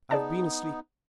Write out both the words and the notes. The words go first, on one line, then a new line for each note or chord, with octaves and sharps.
"I've been asleep."
B3 D#4 G#4 D5 A5